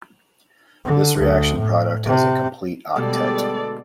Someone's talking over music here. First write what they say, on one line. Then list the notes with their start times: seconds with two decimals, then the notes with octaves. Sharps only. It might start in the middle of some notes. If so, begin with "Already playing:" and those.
This reaction product has a complete octet.
0.85 D3
1.19 D2
1.58 A2
2.06 C3
2.96 D2 B2 G3 G#3 B3 G#4 A4 D5